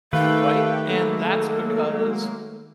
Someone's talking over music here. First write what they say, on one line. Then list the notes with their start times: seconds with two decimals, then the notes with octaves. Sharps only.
right? And that's because
0.13 D#3 A3 G4 A4 B4 F5 G5
0.86 F#3 G#3 A#3 A4